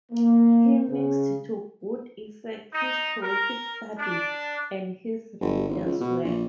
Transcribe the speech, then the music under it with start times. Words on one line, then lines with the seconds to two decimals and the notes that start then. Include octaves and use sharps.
He mixed to good effect his poetic studies and his religious work.
0.11 A#3
0.89 C#3
2.73 D#4
3.22 A#4
3.98 D4
5.41 G1
5.69 G#1
5.85 C#2
6.00 B2
6.24 A#1